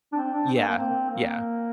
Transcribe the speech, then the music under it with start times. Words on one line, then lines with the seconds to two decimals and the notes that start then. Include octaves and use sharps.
Yeah, yeah.
0.13 D4
0.16 C4
0.32 D4
0.48 C4
0.58 A#3
0.68 A#3
0.78 C4
1.10 A#3